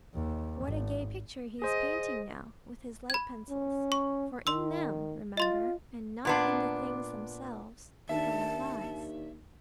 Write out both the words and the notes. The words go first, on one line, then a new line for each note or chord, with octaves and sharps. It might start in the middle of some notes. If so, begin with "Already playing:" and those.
What a gay picture he is painting now, with his light-pencils; for in them, remember, and not in the things themselves the colour lies.
D#2
G#1
G#4 C5 D#5
B5 G#6
C#4
C#6
D#3 C6 E6
F4 D#5 C6 A6
A#2 B3 D4
D#2 D#3 D4 E5 A5